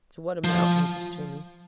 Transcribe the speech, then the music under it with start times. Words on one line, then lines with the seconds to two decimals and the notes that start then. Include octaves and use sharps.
"To what amount, Mrs. Toomey?"
0.44 F3